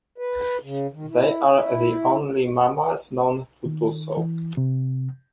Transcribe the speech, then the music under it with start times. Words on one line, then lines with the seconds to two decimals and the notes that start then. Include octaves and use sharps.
They are the only mammals known to do so.
0.18 B4
0.64 C#3
0.93 D#3
1.09 E4
1.55 E4
3.66 D#3
4.17 E3
4.57 C3